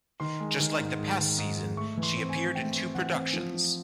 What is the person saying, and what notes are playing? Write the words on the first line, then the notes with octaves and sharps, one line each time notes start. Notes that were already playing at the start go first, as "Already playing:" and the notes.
Just like the past season, she appeared in two productions.
D#3 C6
G#3
D#3
G#2
G#2
D#3
G#2
G#2
A3 C#6
E3
C6
C4
G#5
C4
A3 G5
C4
E3 F#5
C4
F3
F3